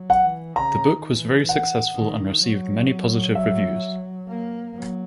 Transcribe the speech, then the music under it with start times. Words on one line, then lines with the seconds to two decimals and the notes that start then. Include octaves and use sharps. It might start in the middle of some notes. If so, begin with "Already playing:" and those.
The book was very successful and received many positive reviews.
Already playing: F#3
0.10 F#5
0.25 E3
0.56 C#3 A#5
0.87 D#3
1.18 E3
1.49 F#5
1.95 D#3
2.42 F#3
3.35 E5
4.28 A#3
4.75 F#3